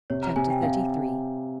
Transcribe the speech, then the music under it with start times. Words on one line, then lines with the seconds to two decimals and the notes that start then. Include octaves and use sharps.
Chapter XXXIII.
0.10 C3 C#5
0.23 A#5
0.36 C3 G#5
0.50 G5
0.62 C3 F5